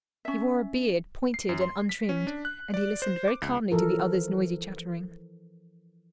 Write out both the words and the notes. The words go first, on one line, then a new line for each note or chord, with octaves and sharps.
He wore a beard, pointed and untrimmed, and he listened very calmly to the other's noisy chattering.
C#4 E5
C7
F#2
C6
B6
C#4
D4
F#6
D5
C5
D6
C#2
E3 F3 A4 A#4